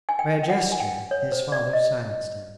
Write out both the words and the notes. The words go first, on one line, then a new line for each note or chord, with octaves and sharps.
By a gesture his father silenced him.
G#5
G5
G5
F#5
G#5
G5
C#5
C5
D5
D#5